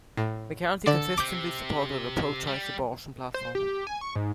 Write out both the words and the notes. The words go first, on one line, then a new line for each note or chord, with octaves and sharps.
McCarthy consistently supported a pro-choice abortion platform.
A2
D3 A4 D5 A6
C3 D6 G6
G3
C5
G4
G#5
C#6
G#2